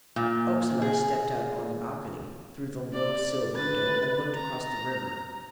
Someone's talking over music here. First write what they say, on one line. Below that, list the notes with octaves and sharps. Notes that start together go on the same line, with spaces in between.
Oakes and I stepped out on the balcony, through the low-silled window, and looked across the river.
A#2
G#4
D5
B4 A6
A#5